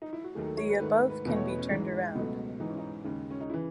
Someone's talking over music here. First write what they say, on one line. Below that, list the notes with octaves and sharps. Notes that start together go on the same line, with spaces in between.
The above can be turned around.
D#4
E4
F#4
D#2 D#3 F#3 A3 G#4
A4
C#5
B4
G#2 D#3 A3 B4
B4
B4
E2 B2 A3 B4
C#5
B4
C#4
G#2 E3 G#3
C#2 B2 F#3 A3 B3
G#2 E3 G#3 D#4
C#4
D#4
D#2 C#3 G#3
C#4
D#4
C#3 E3 E4